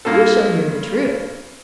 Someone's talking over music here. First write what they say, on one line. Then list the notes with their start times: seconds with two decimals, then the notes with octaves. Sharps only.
You shall hear the truth.
0.05 G2 A#3 F4 A4